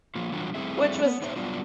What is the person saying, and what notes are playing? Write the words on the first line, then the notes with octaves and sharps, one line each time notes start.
which was
F3 F#3 A#3 F4
E3 F#3 G3 D4 F4 F#4
G3 A3 C4 E4 G#4 E5
B3
B3 D#4 C5 E5
F#3 G3 B3 D4 F4